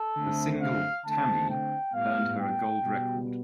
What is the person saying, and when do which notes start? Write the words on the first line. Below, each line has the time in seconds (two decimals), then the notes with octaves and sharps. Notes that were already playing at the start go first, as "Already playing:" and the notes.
The single "Tammy" earned her a gold record.
Already playing: A4
0.16 D3 A3 C4
0.61 F5
1.05 D3 A3 C4 A5
1.49 G5
1.93 A2 G3 B3 F5
2.38 G5
2.82 B2 G3 B3